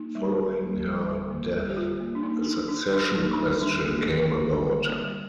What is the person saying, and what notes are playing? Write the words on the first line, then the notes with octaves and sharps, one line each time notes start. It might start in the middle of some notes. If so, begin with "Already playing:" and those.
Following her death, a succession question came about.
Already playing: A#3 D#4
G3
G3
A#3
G3
G3
A#3
G3
G4
G3 F4
A#3
D4
A#3 D#4
D4
D4
D4
A#3 D#4
G3
G3 D4
A#3
A#3
A#3
G3
A#3
G3